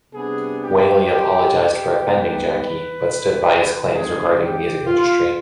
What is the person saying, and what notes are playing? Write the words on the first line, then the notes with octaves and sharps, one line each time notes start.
Whalley apologised for offending Jackie, but stood by his claims regarding the music industry.
C3 G3 B3 D4 G#4
G4
G4
G4
G#2 G3 B3
B4
G2 F3 G#3 C4 D#4 G#4
G4
F4